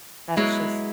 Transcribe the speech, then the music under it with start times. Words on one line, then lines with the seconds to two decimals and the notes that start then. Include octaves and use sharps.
that's just
0.37 F#3 G#3 B3 E4